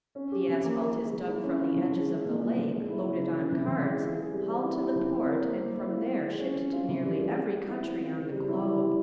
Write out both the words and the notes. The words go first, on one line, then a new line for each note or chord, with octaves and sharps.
The asphalt is dug from the edges of the lake, loaded on carts, hauled to the port and from there shipped to nearly every country on the globe.
C#4
G4
F3
A#3
A#4
G#3
G#3
E4
C#4
F4
F3
G#3
G#3
A#2
A#2
F3
G#3
E4
C#3
F3
C#4
E3
E3
G#3
F4
G#4
G3
C4
E4
G4
F3
C4
A#4
A#3
A#3
E4
F4
C5
G#3
C#4
C#4
F4
E3
G3
G#4
G#3
G#3
E4
C4
F4
C#3
G3
E4
G3
G3